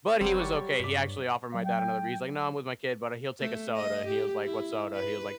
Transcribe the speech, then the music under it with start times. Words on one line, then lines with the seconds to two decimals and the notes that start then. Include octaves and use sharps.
But he was okay; he actually offered my dad another bee He's like, "No, I'm with my kid, but he'll take a soda," and he was like, "What soda?" He was like
0.21 F#1 F#3 G3 C4 C5
0.40 G4 C#6 D6 A6
0.80 G2 D6 B6
1.52 F#3 F5
1.65 G5
3.40 A3
3.76 D#5
4.07 G4
4.45 E4
4.94 B4